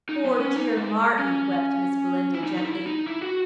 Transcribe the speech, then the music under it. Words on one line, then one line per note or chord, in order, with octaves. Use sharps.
"Poor, dear Martin!" wept Miss Belinda gently.
D#4
B3
C#4
D#4
G#3
C#4
E4
D#4
D#4
E4
D#4
E4
F#4